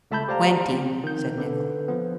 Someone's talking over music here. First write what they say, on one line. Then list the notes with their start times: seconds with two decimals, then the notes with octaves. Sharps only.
"Twenty," said Nicholl.
0.11 C#2 A3 E5 A5 B5 G6
0.28 G4 C5 D5 F5 A5 A#5
0.72 C4
1.04 D#3 G6
1.38 D3 B4
1.88 F3 B3